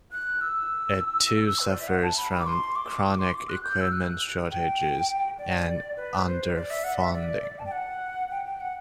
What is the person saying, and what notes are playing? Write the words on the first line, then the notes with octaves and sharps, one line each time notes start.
It too suffers from chronic equipment shortages and underfunding.
F#6
E6
B4
C5
D5
E5
F#5
A5
B5
B5
D6
C6
D6
D6
C6
D6
F#6
G6
E6
F#6
G5
D5
B4
B4
C5
D5
E5
F#5
D5
E5
D5
D5
A5
G5
F#5
G5
G5
F#5